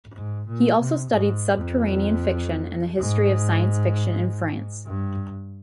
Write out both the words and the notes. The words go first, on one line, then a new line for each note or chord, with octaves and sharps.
He also studied subterranean fiction and the history of science fiction in France.
G#2
A#2
C3
G#2
F2
G#2
G2